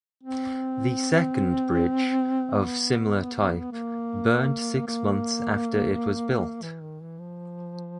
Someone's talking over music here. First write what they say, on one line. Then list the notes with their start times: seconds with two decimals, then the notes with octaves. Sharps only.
The second bridge, of similar type, burned six months after it was built.
0.23 C4
2.55 B3
3.72 A#3
4.87 A#3
6.62 E3
6.81 D#3
7.01 E3
7.19 F3